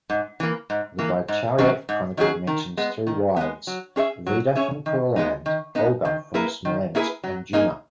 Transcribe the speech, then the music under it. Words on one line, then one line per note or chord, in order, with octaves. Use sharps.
The Bychowiec Chronicle mentions three wives: Vida from Courland, Olga from Smolensk, and Jewna.
G#2
E3 A#3
G#2
E3 A#3
G#2
D#3 F#3 C#4 G#4
G#2
D#3 F#3 C#4 G#4
D#3
G#3 B3
D#3
G#3 B3
F#3
C#4 G#4 C#5 E5
F#3
C#4 G#4 C#5 E5
D#3
G#3 B3 D#4
D#3
G#3 B3 D#4
D#3
A#3 E4 G#4 B4
D#3
A#3 E4 G#4 B4
F#3
A#3 D#4 G#4